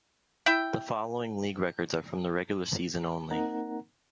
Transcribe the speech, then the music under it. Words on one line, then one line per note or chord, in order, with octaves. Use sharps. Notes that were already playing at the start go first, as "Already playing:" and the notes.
The following league records are from the regular season only.
E4 E5 G5
A#3 C4 D#4 A#4 F#5 A#5